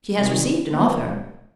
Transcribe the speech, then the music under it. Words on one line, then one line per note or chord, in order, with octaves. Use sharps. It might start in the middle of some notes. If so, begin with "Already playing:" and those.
She has received an offer.
C3 D#3 G3
A#2 F3 B3